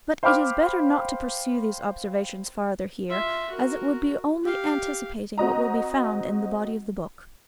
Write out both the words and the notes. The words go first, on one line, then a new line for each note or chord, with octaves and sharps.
But it is better not to pursue these observations farther here, as it would be only anticipating what will be found in the body of the book.
C5 F5 G5 B5 D6 F6
F4 E5
F#4 A#4
G4 F5
C4 F#4 D#5 A#5